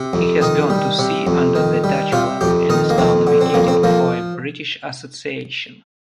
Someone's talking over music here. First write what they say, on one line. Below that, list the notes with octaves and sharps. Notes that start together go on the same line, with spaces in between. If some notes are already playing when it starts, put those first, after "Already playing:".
He has gone to sea under the Dutch flag and is now navigating for a British Association.
Already playing: C3
F2
D#3 D#4
G3
C3
F2
D#3
G3
C3 F4
F2 G4
D#3 D#4
A#3
F2 C4
D3
C4
F2 A#3
C4
F3 A#3